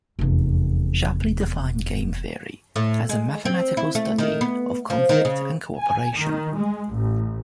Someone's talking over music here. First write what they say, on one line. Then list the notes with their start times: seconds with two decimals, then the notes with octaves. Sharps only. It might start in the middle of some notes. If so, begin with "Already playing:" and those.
Shapley defined game theory as a mathematical study of conflict and cooperation.
0.19 F1 E2
2.76 A2
3.09 G#3
3.45 C4
3.77 E4
3.95 A3
4.18 D#3
4.41 B3
4.90 F3
5.09 D#3
5.25 C#3
5.75 G#5
6.15 D#3
6.54 G#3
6.91 A1